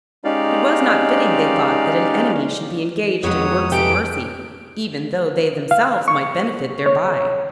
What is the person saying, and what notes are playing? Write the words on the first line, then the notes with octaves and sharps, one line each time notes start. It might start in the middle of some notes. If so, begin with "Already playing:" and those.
It was not fitting, they thought, that an enemy should be engaged in works of mercy, even though they themselves might benefit thereby.
G#3 C#4 D#4 G4 D5 F5
F2 F#3 G#3 B3 C#5 D#6
A3 D#4 G4 G#4 B4 D7
F5
C#6
C#5